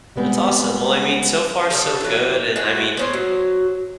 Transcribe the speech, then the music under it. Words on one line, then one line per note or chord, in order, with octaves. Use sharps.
That's awesome, well, I mean, so far so good, and, I mean,
G3 G#3 B3 C4
C#3 G3 G4 A4
E3 F#3
G#3 E4 F#4
B3 C#4 C5
F#3